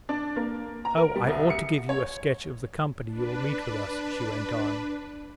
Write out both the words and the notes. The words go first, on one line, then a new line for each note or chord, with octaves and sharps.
"Oh, I ought to give you a sketch of the company you will meet with us," she went on.
D4
A#3
A#5
A#4
G3
C2
C#7
C#5
D4 B4